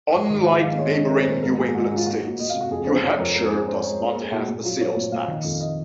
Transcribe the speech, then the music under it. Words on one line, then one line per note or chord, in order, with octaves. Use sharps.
Unlike neighboring New England states New Hampshire does not have a sales tax.
G#2 A#4
D#3
G#3 F#5
D#3 F5
G#3 C#5
G#3 C#5
C#4 A#4
C5
A#2 A#4
G#2 A#4
A#3 G#4
G#2 F#4
G#4
C#4 F4
A#3 F#4
A#3 F#4
A#3 D#5
F5
C3
F#4
F2 G#4
C3 C5
C3 C#5
F2 A#4
G#2 A#4
G#4
C#4
C#4 C5
G#3 C#5
C#4 C5
A#3 A#4
G#4
A#2 F#4
A#2
F#3 F4
C4 C#5
A#2
A#2 F5
D#3
F2
D#5